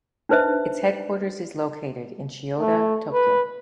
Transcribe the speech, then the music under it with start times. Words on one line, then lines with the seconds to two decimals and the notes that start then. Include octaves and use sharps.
Its headquarters is located in Chiyoda, Tokyo.
0.29 D4 D#4 B4 C5 E5
2.60 A3
3.13 B4